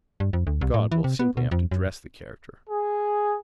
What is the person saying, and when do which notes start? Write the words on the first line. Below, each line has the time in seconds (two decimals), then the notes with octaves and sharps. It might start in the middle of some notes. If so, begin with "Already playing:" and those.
God, we'll simply have to dress the character.
0.20 G2
0.33 F2
0.47 D2
0.61 C2
0.74 A2
0.92 E3
1.04 C3
1.19 B3
1.37 B2
1.51 F2
1.71 F#2
2.70 G#4